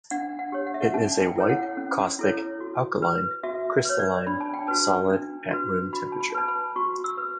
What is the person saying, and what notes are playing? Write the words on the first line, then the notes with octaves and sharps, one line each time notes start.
It is a white, caustic, alkaline, crystalline solid at room temperature.
D4 F#5
F#5
G4 C#5
F#5
E5
F#5
C#4 A5
G5
E4 A4 C#5
F#5
C#4
E4 A4 C#5
F#4
B4
F#4 E5
B4 C#5
D5
D4 B5
A5
G5
F#4 B4 A5
D4
F#4 B4
F#4 B5
A5
B5
B4 A5
B5
F#4 C#6
E6
B4